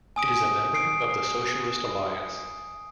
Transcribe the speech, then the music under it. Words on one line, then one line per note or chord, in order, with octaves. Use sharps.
It is a member of the Socialist Alliance.
G#5 D#6 D7
C7 D7